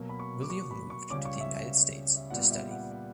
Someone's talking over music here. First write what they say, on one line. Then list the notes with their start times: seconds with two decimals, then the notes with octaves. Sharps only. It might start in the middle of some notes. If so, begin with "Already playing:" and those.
William moved to the United States to study.
Already playing: B2 F#3 A#3
0.09 B5
0.20 C#6
0.42 D6
0.50 C#6
0.71 B5
0.90 C#6
1.10 C#2 C#3 G3 C#4 D6
1.25 C#6
1.40 E5
1.56 E5
2.17 E5
2.30 A#2 G3 B3 F#5
2.51 E5
2.71 F#5
2.92 F#5